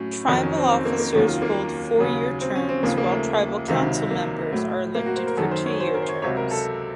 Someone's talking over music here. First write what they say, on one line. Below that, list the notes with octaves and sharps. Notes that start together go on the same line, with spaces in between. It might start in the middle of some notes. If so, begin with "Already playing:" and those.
Tribal officers hold four-year terms while tribal council members are elected to two-year terms.
Already playing: A2 F#3 C#4
F2 D#3 F#3 D#4
C#4
C4
C4
A#3
A#3
D#2 D#3 F#3 C#4
F4
A#3
D#2 C#3 F#3
C4
C#4
C4
D#2 C#3 F3 A#3
A#3
A3
C#2 C3 D#3 F#3
A#3
A2 F#3
A#3
F#4
C5
A#4
F#2 D#3 F#3 A4
C5
C#5
C5
A#4
C5
C#5
C#2 C3 F#3 C#5
A#4
A4